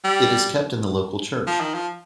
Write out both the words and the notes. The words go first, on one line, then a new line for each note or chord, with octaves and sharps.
It is kept in the local church.
G3
F3
D#3
F3